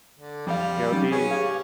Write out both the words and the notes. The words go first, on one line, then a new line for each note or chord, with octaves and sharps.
Yeah, it'd be
D3
F2 G3 D4 F5
F#3 C#4 D#4
C#4 G#4 B4
G4 G#4 F5